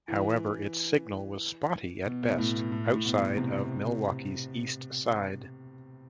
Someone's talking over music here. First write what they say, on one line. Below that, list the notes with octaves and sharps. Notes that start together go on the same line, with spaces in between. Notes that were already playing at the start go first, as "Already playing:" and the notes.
However, its signal was spotty at best outside of Milwaukee's East Side.
E3
B2
B2
A2
B2
A2
A2
B2
C3